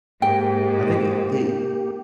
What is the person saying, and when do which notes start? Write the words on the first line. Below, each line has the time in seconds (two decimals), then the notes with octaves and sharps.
I think, eh, they
0.22 G#2 A#3 G4 G5